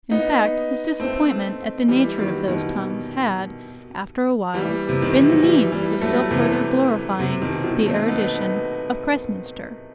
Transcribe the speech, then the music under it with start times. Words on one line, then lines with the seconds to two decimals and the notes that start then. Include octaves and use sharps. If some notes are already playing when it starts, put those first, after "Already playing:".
In fact, his disappointment at the nature of those tongues had, after a while, been the means of still further glorifying the erudition of Christminster.
0.11 B3 D#4
1.00 A3 C4
1.88 E3 G3
2.18 D#3 F#3
2.48 B2 D#3
4.54 E3 G3
4.89 C3
5.02 D#3
5.15 E3
5.30 F#3
5.42 E3 G3
5.72 E3 G3
6.01 F#3 A3
6.31 C3 E3
7.19 C3
7.42 B2 D#3
7.64 D#3 F#3
7.86 A3 C4
8.08 B3 D#4